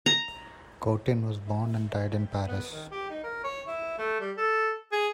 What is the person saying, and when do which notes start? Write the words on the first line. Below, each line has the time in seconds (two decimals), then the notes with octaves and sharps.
Cotin was born and died in Paris.
0.06 A#5
2.48 B3
2.71 D#3
2.91 G4
3.10 D#4
3.24 A#4
3.44 C#5
3.67 E4
3.98 A3
4.20 G3
4.37 A4
4.92 G#4